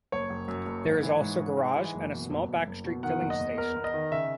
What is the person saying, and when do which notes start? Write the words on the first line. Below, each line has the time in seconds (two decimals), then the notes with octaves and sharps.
There is also a garage and a small backstreet filling station.
0.12 F#1 C#5
0.30 F#1
0.48 F#2
0.66 F#1
0.85 G#2
1.03 E3
1.21 G#2
1.39 G#2
1.57 G#3
1.76 E3
1.94 F#1
2.12 B2
2.30 F#1
2.48 F#1
2.67 F#1
2.84 B2
3.03 D#3 F#5
3.21 F#1
3.30 D#5
3.39 E2
3.57 E2 A#4
3.76 E2
3.84 D#5
3.94 D#3
4.12 C#3 E5